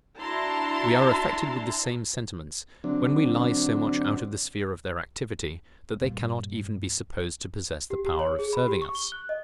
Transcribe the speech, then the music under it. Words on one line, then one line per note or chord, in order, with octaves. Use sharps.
We are affected with the same sentiments, when we lie so much out of the sphere of their activity, that they cannot even be supposed to possess the power of serving us.
D4 E4 F#4 A5 A#5 C6
D3 F#3 C4 D4
G2 A#2
G4
G4
C#5
G#4
B5
G4
C#6
G7
F#6
D#5